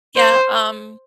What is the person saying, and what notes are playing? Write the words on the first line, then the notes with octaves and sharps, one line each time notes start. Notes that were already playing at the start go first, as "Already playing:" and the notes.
Yeah, um
C5